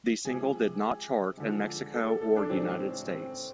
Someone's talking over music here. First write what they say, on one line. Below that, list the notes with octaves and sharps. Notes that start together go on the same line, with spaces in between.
The single did not chart in Mexico or United States.
C3 F3 G#3 G#4
D3 F3 G#3
A4
A4
A4
D4
A2 E3 G#3 C4
C4
C4